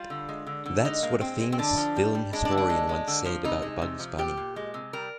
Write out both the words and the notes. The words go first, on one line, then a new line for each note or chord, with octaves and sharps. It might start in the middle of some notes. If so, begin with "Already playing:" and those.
That's what a famous film historian once said about Bugs Bunny.
Already playing: G3 F4
D3
G#3
D3
D3
G#3 D#4
A#2 A#3
G#3 C4
G#3
C4
D3 D4
F3
G3
G3
G#3 D4
D4
D3
D4
G#3
G#3
D3
F3
C3 D#4
G#3
C3
F3
A#2 G4
A#2
G#3
C3
G3 A#4